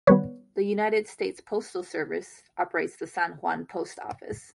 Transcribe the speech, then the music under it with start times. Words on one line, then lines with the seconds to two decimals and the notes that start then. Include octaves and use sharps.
The United States Postal Service operates the San Juan Post Office.
0.07 D#3 G3 B3 B4 C#5